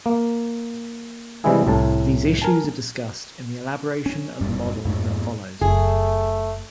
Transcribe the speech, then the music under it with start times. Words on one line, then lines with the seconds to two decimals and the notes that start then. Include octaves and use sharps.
These issues are discussed in the elaboration of the model that follows.
0.06 A#3
1.44 C3 E3 G3 G#3 E4 G#4
1.67 C2 A2 A5
2.42 A#4 G#5 A5
4.06 C#4
4.41 F#1 E2 G2 G3
4.85 F2 G#2 A3
5.61 F#1 A3 G#4